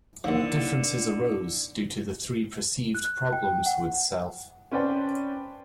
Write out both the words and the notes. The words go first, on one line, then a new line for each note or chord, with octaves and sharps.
Differences arose due to three perceived problems with Self.
D#2 D3 F3 D#4 E4 F#5
F#6
G5
F#5
C#4 B4 C5 D5 G5 A5